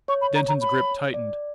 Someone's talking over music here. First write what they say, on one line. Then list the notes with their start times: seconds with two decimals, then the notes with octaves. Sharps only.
Denton's grip tightened.
0.08 C#5 C#6
0.21 B5
0.35 A#5
0.48 A#5
0.61 B5
1.14 D5